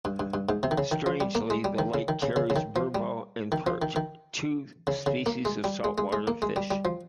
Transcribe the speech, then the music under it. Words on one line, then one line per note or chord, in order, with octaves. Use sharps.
Strangely, the lake carries burbot and perch, two species of saltwater fish.
G2
G2
G2
G#2
C3
D#3
C#3
D#3
F3
G3
A#3
G#3
G3
D#3
C#3
D#3
C#3
C#3
C#3
D#3
F3
G3
D#3
F3
D#3
D#3
C#3
C#3
A#3
G#3
G3
G#3
G#3
G#3
A#3
G#3
G3
G3
F3